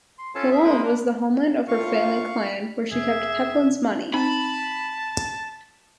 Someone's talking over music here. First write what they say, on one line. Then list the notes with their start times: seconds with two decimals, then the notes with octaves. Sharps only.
Cologne was the homeland of her family clan and where she kept Pepin's money.
0.18 C6
0.35 C#4 F4 A4 C#5 F5 A5
0.51 G#4 E5
0.64 G#3 A#3 A#4 C5 B5 D#6
0.83 D4 A#4
1.68 D2 A2 F4 F5 C#6
2.91 F2 C3 G#4 E5
4.14 C4 D#4 A5 B5